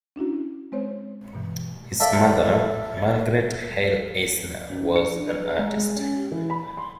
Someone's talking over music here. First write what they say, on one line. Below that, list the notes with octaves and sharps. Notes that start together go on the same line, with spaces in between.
His mother, Margarete Heil-Eisner, was an artist.
C#4 D4 E4 F#4
G#3 C4 C5 C#5
G2 B2 E3
A4 D5 E5 F5 A5
F#2
C#7
D4
B4
G#4
G#3
G#3
C#4
G4
E3
B5
C6